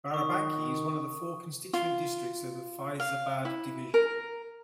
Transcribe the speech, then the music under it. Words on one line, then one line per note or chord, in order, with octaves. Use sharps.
Barabanki is one of the four constituent districts of Faizabad Division.
D#3 C#6 D#6
F4
F5
E4
A#4